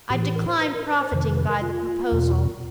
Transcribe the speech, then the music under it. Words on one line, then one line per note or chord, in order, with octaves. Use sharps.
I decline profiting by the proposal.
A2 E3 G4
G4
A#4
C5
B4
A#4
B4
C5
F2 C3 D#3 C5
B4
B4
A#4
F4
E2 B2